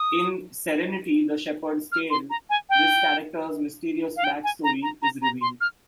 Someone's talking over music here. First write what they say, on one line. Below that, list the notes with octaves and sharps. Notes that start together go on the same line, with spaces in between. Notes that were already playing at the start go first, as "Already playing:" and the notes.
In "Serenity: The Shepherd's Tale", this character's mysterious backstory is revealed.
Already playing: D#6
F6
C6
A#5
G#5
G5
F5
G5
G#5
A#5
A#5
A#5
A#5
C6
F6